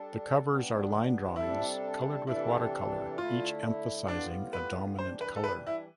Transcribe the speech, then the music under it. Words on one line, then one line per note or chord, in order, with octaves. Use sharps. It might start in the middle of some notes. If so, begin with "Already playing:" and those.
The covers are line drawings colored with watercolor, each emphasizing a dominant color.
Already playing: G3 D4 A4
G3 B3 D4
C3 G3 D4 E4 A4
C3 E3 G3 D4 E4 A4
D3 A3 E4 F4
A2 G3 B3 D4 F4
B4
E3 G3 D4 C5
B4
A4
B4
E4